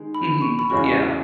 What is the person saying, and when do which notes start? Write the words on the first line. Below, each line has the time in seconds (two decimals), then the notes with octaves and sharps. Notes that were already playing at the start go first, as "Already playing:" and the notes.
Mhm. Yeah.
Already playing: D#3 G#3 D#4
0.14 B5
0.38 B5
0.41 C#6
0.59 B5
0.70 E2 C#3 G#3 C#4 F#4 C#6